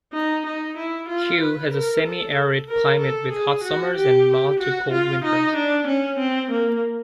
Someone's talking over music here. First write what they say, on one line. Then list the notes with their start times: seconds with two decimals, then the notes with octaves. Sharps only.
Cue has a semi-arid climate with hot summers and mild to cool winters.
0.13 D#4
0.46 D#4
0.77 E4
1.09 F4
1.41 B4
1.73 A#4
2.05 A4
2.68 A#4
3.00 A4
3.32 G#4
3.64 F#4
3.96 G4
4.60 F#4
4.92 F4
5.24 D#4
5.55 D4
5.87 C#4
6.19 C4
6.51 A#3